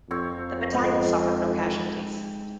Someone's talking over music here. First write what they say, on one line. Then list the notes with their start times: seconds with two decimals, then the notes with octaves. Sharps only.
The battalion suffered no casualties.
0.11 F2 C4 C#5
0.72 G#2